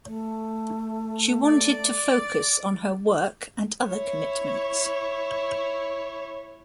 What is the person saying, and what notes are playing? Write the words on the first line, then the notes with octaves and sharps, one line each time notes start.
She wanted to focus on her work and other commitments.
A3
D5
E4 C#5